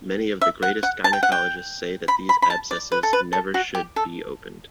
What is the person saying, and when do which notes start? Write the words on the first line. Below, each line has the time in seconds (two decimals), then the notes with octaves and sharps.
Many of the greatest gynecologists say that these abscesses never should be opened.
0.41 E5
0.62 F#5
0.83 F#5
1.04 A5
1.13 G5
1.23 F#5
1.32 G5
2.08 B5
2.29 B5
2.42 B5
2.50 A5
2.71 D5
2.92 B4
3.03 A4
3.13 B4
3.33 A4
3.54 F#4
3.75 G4
3.96 A4